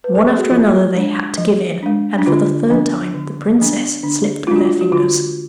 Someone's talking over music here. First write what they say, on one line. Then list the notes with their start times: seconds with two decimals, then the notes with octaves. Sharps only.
One after another they had to give in, and for the third time the princess slipped through their fingers.
0.04 B4
0.15 A4
0.28 G#4
0.38 F#4
0.50 F3 F4
0.94 G#3 D4
1.38 F3
1.83 G#3 D4
2.18 D4
2.26 D3 F4
2.70 F3 B3 D4
3.15 D3
3.59 F3 B3 D4
4.03 D3 D4
4.47 G#3 F4
4.51 D4 F#4
4.65 F4
4.81 F#4
4.92 D3 F4